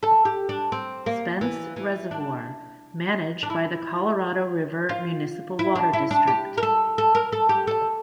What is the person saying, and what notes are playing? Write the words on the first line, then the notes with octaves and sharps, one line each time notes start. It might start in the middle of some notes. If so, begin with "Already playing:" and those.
Spence Reservoir, managed by the Colorado River Municipal Water District.
A4
G4
D4
C4
A#3
E3
E3
D4
D4
E4
F4
E4
D4
E4
D4
G4
A#4
A4
A4
A#4
A4
G4
A4